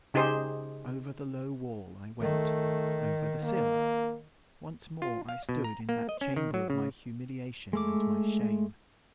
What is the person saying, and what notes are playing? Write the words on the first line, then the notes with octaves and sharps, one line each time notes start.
Over the low wall I went, over the sill,--once more I stood in that chamber of my humiliation and my shame.
C#3 D#4 G4 G#4 C5
D#3 A3
A#3
F4
F5
B2
A#5
A#3
D#5
C#4
D#3
F#3
C#3
G#3 A3 D6